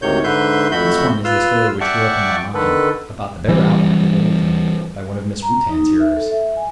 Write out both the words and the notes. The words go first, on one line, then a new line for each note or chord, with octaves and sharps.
This one is the story which grew up in my mind, about the bare outline related to me by one of Mrs Rutan's hearers.
D2 G#2 C3 D#3 C#5 G6
G#2 D3 B4 E5 C6 G6
F2 A3 F#4 E5 B5 G6
F4 B4 C6 E6 F6
D5 E5 F#5 G5 A5 C#6
D3 D#3 A4 B4
E3 G3
A#5
D#4
E5
A4
E5
G#5